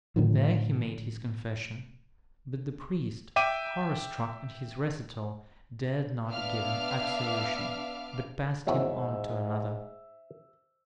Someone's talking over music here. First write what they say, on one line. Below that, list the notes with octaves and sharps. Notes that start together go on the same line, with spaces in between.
There he made his confession; but the priest, horror-struck at his recital, dared not give him absolution, but passed him on to another.
A2 D3 D#3 F3
E5 G5 D6 D#7
B3 D4 E5 F5 D6 F6
G#1 E2 G#2 F#3 C5 D#5 E5